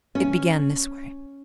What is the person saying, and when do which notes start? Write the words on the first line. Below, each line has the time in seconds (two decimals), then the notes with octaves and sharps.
It began this way.
0.15 C#4